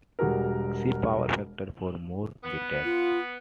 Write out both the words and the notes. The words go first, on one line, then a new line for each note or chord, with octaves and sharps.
See Power factor for more detail.
E1 G3 F#4 G#4 A#4
B3
F4